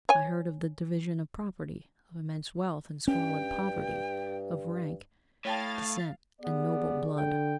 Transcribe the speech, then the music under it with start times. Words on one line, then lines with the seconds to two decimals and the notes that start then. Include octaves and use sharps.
I heard of the division of property, of immense wealth and squalid poverty, of rank, descent, and noble blood.
0.09 C#5 G#5
3.08 G2 C#4 G5
5.45 A2 C#5 F5 G5 A5 A6
6.41 B3 G4 G#4 D5
7.17 D3 G5